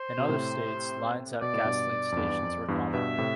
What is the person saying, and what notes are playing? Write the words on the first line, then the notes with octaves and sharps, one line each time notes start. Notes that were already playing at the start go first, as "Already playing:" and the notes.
In other states, lines at gasoline stations were common.
Already playing: C5
B2
A2 C3
B2 D5
A2
G2 B2
F2
E2 G2
F2
E2 G2
G2 B2 E5
A2 C3